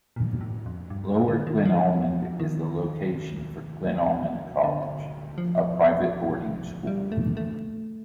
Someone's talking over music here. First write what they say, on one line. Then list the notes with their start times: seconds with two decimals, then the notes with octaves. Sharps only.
Lower Glenalmond is the location for Glenalmond College, a private boarding school.
0.16 A#2
0.41 A2
0.66 F2
0.90 G2
1.28 D3
1.47 D#3
1.65 F3
2.40 D#3
4.64 D3
5.38 F3
6.87 G3
7.12 A3
7.37 A3